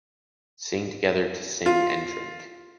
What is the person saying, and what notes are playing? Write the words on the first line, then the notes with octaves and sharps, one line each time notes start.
Sing together to sing and drink.
F4